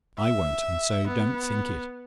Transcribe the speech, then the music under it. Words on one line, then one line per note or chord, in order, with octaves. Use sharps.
I won't, and so don't think it.
E5
B3